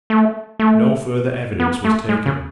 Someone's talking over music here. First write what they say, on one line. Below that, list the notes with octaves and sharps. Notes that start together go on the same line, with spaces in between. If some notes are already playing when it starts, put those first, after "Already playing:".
No further evidence was taken.
A3
A3
B3
A3
G#3
C#3